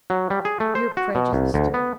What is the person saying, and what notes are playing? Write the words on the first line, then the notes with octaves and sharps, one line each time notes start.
"You're prejudiced."
F#3
G3
G#4
A3
C5
F#4
B2
C2
D2
B3